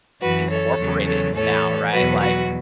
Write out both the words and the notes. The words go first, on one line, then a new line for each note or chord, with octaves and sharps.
incorporated now, right? Like,
F#2 E3 F#4 B4
A4 C#5
E2 C#3 F#3
A4 C#5
A2 E3 A4 C#5
E2 B2 F#3 F#4 B4
F#4 B4